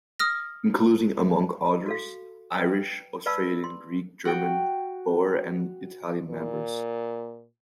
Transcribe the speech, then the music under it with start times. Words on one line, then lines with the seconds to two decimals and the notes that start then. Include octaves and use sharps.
Including among others Irish, Australian, Greek, German, Boer and Italian members.
0.20 D#6 F6 A#6
1.86 F#4 A4 F5
2.58 B4 G5
3.26 B4 D5 F5 A5 B5 E6
3.64 C6
4.25 F#4 G5
6.30 A#2